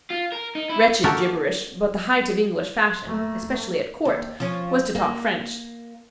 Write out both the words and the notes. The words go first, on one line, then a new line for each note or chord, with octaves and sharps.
Wretched gibberish; but the height of English fashion, especially at court, was to talk French.
F4
A#4
D#4
E4
A#3 F#4 G4 A4 A#4 D#5
A3 A#3
D#2
F3 C#4
A#3